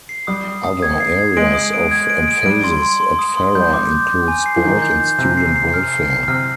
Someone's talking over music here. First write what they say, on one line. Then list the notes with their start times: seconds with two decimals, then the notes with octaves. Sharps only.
Other areas of emphasis at Farrer include sport and student welfare.
0.09 C7
0.27 G3 D#6
0.46 D#6
0.64 D#6
0.82 G#6
1.00 C7
1.18 G#6
1.37 G#3 D7
1.55 D#6
1.73 D7
1.91 G#6
2.10 D7
2.28 D7
2.46 G3 D7
2.64 C6
2.82 C6
3.00 C6
3.19 D#6
3.37 C6
3.55 G3 G6
3.73 D6
3.92 G6
4.10 G6
4.28 G#5
4.46 C7
4.56 F3
4.64 D#3 G6
4.82 G6
5.00 G6
5.19 C3 G6
5.37 C7
5.56 C7
5.74 F6
5.92 C7
6.10 C7
6.28 C3 F6